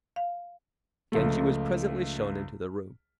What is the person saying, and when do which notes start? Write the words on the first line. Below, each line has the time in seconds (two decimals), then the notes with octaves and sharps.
Genji was presently shown into the room.
0.16 F5
1.12 C#2 F3 A3